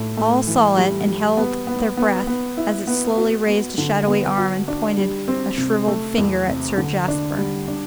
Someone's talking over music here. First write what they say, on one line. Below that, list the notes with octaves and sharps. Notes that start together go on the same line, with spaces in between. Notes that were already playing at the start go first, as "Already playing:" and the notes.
All saw it and held their breath as it slowly raised a shadowy arm and pointed a shriveled finger at Sir Jasper.
Already playing: A2 A3
A3
E3
G3
G3
B3
B3
B3
B3
E4
B3
F#4
B3
D3
B3
F#4
D4
G3
C4
C3
A3
E2
C3
D3
D4
G3
D4